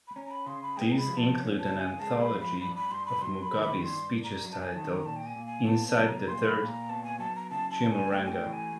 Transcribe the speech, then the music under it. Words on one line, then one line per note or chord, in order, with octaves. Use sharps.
These include an anthology of Mugabe's speeches titled "Inside the Third Chimurenga".
B5
C#4 A#5
A#5
B5
C#3 C6
B5
G#3 G5
A#5
B5
F3
A5
C#4
A5
C#3
G#5
G#3 A5
B5
F3
B5
G2 B5
B5
G2 C6
B5
F#3 C6
B5
D#3
B5
G2 C6
G2
A#5
F#3
A5
G#5
D#3 A5
A#5
A#2 A5
G5
G#5
A#2
G#5
B3 A5
A5
F#3
A#5
A#2 C6
B5
A#2
A#5
B3 A5
G#5
F#3 A5
A#5
C#3 A5
A5
C#3
G#5
A3 G5
G#5
G5
E3
G#5